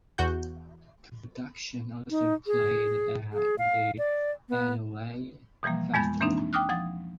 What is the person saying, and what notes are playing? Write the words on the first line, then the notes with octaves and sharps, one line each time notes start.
The production also played at the Adelaide Festival.
E2 F#4 G6
D#4
G#4
G#4
F5
D5
B3
B2 E3 F3 G3 A#3
F2 G#3 B3 B5 G6 A6
E3 A#3 C4 D4 D#4
G5 D6 D#6 F6 F#6
F3 F#5 D#6 A6